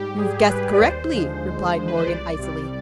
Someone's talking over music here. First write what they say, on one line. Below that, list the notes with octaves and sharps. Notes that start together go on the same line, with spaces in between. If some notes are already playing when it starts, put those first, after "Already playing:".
"You have guessed correctly," replied Morgan, icily.
Already playing: G#2 G3 G4
G#2 G#4
G3 B4
D5
D#2 C5
D3 F3 G#3
D#2
D3 F3 G#3
B4
C5
C2 D5
C3 G3